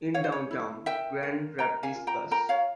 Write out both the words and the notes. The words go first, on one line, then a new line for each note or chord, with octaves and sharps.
In downtown Grand Rapids, Bus.
E4 C#5 F5
C5
C#5
E4
A#4 E5 G5
A#4
A#4 G5 A#5
F5 G#5
F4
G5 A#5
A#4 G5 A#5
C#5 F5